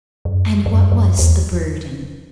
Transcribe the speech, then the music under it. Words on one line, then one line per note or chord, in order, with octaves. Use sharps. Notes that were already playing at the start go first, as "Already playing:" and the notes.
And what was the "burden"?
F#2
F#2
F#2
E2